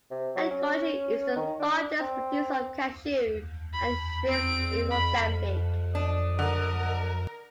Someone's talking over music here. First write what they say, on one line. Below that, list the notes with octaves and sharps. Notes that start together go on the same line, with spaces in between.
Angoche is the largest producer of cashew and shrimps in Mozambique.
C3
F#3
C#4
D#3
D4
C4
B5
C4 D7
B5
D4 D#5
D3 A#4